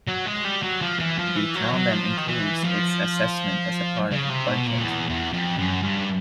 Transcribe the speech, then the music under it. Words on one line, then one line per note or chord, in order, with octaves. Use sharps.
The town then includes its assessment as part of its budget.
F#3
G#3
G3
F#3
F3
E3
F3
E3
F#3
F#3
F3
D#3
E3
F3
C#3
C3
B2
A#2
F2
E2
E2
F2
F#2
G2